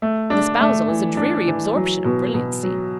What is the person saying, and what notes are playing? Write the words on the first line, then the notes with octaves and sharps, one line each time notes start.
An espousal is a dreary absorption of brilliancy.
A3
D4
A3
E3
D4
E3
F#3
B2
B2
F#3